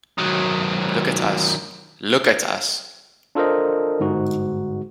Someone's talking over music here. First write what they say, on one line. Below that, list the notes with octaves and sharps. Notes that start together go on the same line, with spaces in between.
Look at us — look at us!
D#3 F#3
D4 F4 A4 A#4 C5 D#5
G1 G#2 D#4 F#4